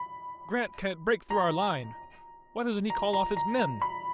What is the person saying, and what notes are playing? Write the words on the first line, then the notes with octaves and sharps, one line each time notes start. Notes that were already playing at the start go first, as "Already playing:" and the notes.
Grant can't break through our line! Why doesn't he call off his men?
Already playing: B5
A#5
A#5
A#5
A#5
A#5
B5